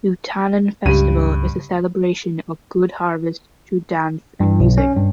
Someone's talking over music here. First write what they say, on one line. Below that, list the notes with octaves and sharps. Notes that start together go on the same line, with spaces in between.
Utanon Festival is a celebration of good harvest through dance and music.
C#2 G2 D#7
G2
B1
C#4
G2